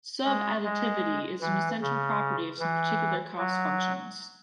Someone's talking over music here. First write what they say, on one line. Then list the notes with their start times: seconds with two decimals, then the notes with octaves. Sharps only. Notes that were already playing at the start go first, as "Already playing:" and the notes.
Subadditivity is an essential property of some particular cost functions.
0.24 G#3
0.64 G#3
1.42 E3
1.81 C#3
2.60 E3
3.38 F#3